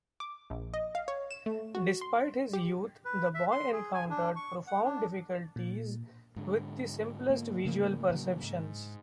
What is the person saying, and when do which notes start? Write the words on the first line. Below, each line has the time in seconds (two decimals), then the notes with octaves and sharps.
Despite his youth, the boy encountered profound difficulties with the simplest visual perceptions.
0.20 D6
0.50 A#1
0.74 D#5
0.95 F5
1.08 C#5
1.31 E7
1.46 A3
1.75 F#4
2.01 C6
2.53 G4
3.05 B4
3.34 E5
3.51 C6
3.72 G#4
3.94 G#5
4.10 D4
4.36 C#6
4.67 F#5
4.85 D4
5.56 A#2
6.36 G#2 D3
7.30 A#3
7.65 C#3 A3 A#3
8.10 A2 F#3
8.43 G#2